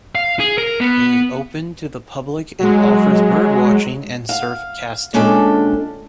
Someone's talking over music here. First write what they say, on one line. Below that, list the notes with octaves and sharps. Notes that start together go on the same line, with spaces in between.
It is open to the public, and offers bird watching and surf casting.
F5
G#4
A#4
B3
F#3 G#3
F5
A#2 G#3 C#4 D4 A4 G5